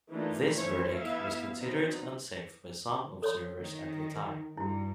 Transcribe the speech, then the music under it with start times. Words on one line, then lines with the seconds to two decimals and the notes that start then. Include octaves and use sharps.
This verdict was considered unsafe by some observers at the time.
0.11 E3 A3 A#3 D4 D#4 F4
0.56 E3 A3 C#4 E4 C5 C#5
0.98 B3 E4 E5 F5
1.59 F#3 B3 C4 D#4
3.22 A4 C#5 C6
3.61 D#3
4.57 G2 E4 F#4